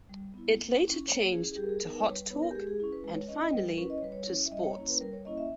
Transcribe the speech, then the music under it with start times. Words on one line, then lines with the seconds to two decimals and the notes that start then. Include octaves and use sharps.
It later changed to Hot Talk, and finally, to Sports.
0.09 G3
0.34 B3 E4
0.59 A#3
0.83 C#4 E4
1.08 A#3 C#5
1.32 C#4 E4 G#4
1.52 G#4
1.57 G3 G4
1.64 A#4
1.69 G#4
1.82 B3 D#4 A#4
1.94 B4
2.00 C#5
2.06 G3 B4
2.26 B4
2.30 B3 D#4 C#5
2.43 A#4
2.51 G4
2.55 G#3 G#4
2.67 G#4
2.80 C#4 E4 G#4
2.92 B4
3.04 G#3 B4
3.16 C#5
3.28 C#4 E4 D#5
3.41 D#5
3.53 G3 B4
3.66 A#4
3.78 C#4 E4 B4
3.90 D#5
3.98 C#5
4.02 G3 B4
4.12 C#5
4.27 C#4 E4
4.46 E5
4.51 G3 D#5
4.63 C#5
4.76 A#3 C#4 E4 C#5
4.89 B4
5.01 G3 A#4
5.13 C#5
5.25 A#3 C#4 E4 D#5
5.38 E5